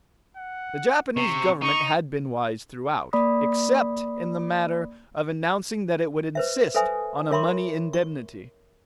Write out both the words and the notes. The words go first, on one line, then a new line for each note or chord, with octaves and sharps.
The Japanese Government had been wise throughout, except in the matter of announcing that it would insist on a money indemnity.
F#5
C3 C#6
D#4 C#6
A#3 D5 B5 D#6
B4 C5 E5
A4 B4 C5 E5 G#5 D#6
A#4 C#5 E5 B5 C6 D6
C#6